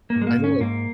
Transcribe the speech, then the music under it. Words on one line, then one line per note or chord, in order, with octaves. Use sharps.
I know it
A#3
G#2
G#3
A#3
G#2
C#4
G#2 A#3